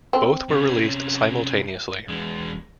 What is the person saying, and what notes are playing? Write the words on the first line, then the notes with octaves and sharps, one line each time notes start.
Both were released simultaneously.
C4
C3 C#4
E2 G#3